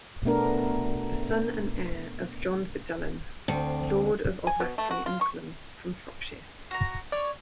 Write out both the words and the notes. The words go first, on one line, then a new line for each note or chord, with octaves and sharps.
The son and heir of John Fitzalan, Lord of Oswestry and Clun, from Shropshire.
B2 A3 B3 D4 A#4
D2 C4
G#5
B2
A3
F#4
F4
C#6
F#4 A#5
C#5 D5